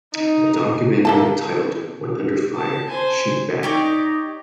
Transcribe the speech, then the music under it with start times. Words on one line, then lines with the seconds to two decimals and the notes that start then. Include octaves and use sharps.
A documentary entitled When Under Fire: Shoot Back!
0.14 D#4
1.05 A#3 A4 A5
2.56 A5
2.89 C5 G#5
3.63 D#4 G4 C#5 D5